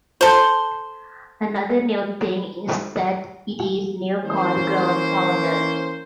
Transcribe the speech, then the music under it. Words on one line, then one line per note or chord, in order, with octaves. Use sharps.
Another new thing is that it is now called Ground Pounder.
A4 C5
E3 A#3 C#4 C5